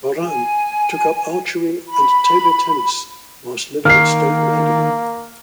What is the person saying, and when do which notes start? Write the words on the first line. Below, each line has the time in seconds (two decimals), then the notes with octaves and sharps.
Horan took up archery and table tennis while living at Stoke Mandeville.
0.24 G#5
1.89 B5
3.85 D#3 A#3 F6 C7